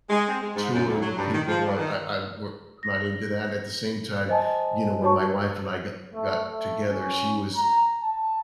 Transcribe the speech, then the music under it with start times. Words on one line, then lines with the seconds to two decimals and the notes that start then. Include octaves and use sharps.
tour with people. I I I'm more I'm not into that. At the same time, you know, when my wife and I go got together, she was
0.09 G#3
0.28 C4
0.41 G#3
0.55 G#2
0.74 F#2
0.88 D2
1.02 F#3
1.17 G2
1.33 D#3
1.48 F3
1.65 G2
1.78 D#3
2.83 A#6
4.28 C5 D#5 G#5 A5
5.02 F#4 C#5 A5 C#6
6.14 A3
6.48 A3
6.89 C#4
7.56 A#5
8.02 A5